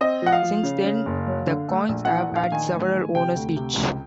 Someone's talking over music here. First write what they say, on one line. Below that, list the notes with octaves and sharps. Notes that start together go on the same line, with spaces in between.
Since then, the coins have had several owners each.
C4 D#5
F3 F#5
F5
F3
C#3
C#3
F#1
F#3
D3
A3
A#1
E3 F#5
F#5
A#1 F5
D#3 G#5
A1
D#3
C3 G5
D2
C3
C#2